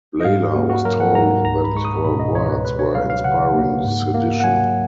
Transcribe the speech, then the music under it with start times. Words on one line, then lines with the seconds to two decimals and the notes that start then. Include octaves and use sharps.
Leyla was told that her words were inspiring sedition.
0.20 D#5
0.25 G#2 F5
0.55 A#3 F#4
0.70 F#4
0.85 F#3 A#4
1.00 F#5
1.15 G#2 A#5
1.45 C#2 A#5
1.64 B5
1.75 G#3 C#6
1.85 D#6
2.04 B2 B5
2.20 D#5
2.34 C#2 C#5
2.49 B4
2.65 C#2 B4
2.79 C#5
2.95 F#3 F5
3.10 F5
3.24 C#3 F#5
3.54 A#3
3.84 G#2
4.14 A#3
4.40 F#5
4.44 F#3 G#5